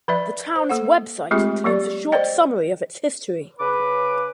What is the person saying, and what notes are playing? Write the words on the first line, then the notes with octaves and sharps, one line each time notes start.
The town's website includes a short summary of its history.
F3 B4 D5 E5
C5
A#3 A4 F#5
G#3 A3 C4 F4 G4 G#4
F#3 A#3 G4 D5
C5 D5 D#5 G5
C#3 B4 D6